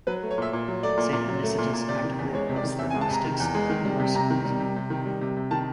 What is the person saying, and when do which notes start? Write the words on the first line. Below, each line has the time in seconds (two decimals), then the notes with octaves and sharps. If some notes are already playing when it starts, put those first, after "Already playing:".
Saint Anicetus actively opposed the Gnostics and Marcionism.
0.07 F#3 B4
0.23 A3
0.31 C#5
0.38 A#2 E5
0.53 A#2
0.68 F#3
0.83 A3 D5
0.97 A#2
1.13 A#2
1.28 F#3
1.43 A3
1.58 A#2
1.73 A#2
1.89 C3 D5
2.04 D#3
2.19 E2
2.33 G#3 C#5
2.49 C3
2.56 D5
2.64 D#3
2.79 E2 E5
2.90 G#5
2.95 G#3
3.01 A5
3.10 C3 A#5
3.25 D#3
3.40 E2
3.55 G#3
3.70 D#3
3.85 G3
3.99 C3
4.15 C3 A#5
4.30 D#3
4.45 G3
4.60 C3
4.76 C3
4.90 D#3
5.06 G3
5.21 C3
5.37 C3
5.51 D#3 A5